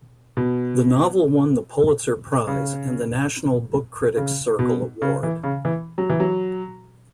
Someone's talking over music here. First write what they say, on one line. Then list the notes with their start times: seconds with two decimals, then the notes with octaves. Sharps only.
The novel won the Pulitzer Prize and the National Book Critics Circle Award.
0.37 B2
2.47 C#3
4.17 C#3
4.59 B2
5.02 C#3
5.23 E3
5.43 C#3
5.65 E3
5.98 F#3
6.10 E3
6.20 F#3